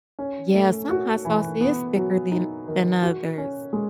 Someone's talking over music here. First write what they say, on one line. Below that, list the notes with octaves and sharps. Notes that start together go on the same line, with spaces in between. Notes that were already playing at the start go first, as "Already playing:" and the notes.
Yeah, some hot sauce is thicker than than others.
C#4
A3
F#4
E3
B3
F#3
D#4
D#3
F#4
C#4
G#3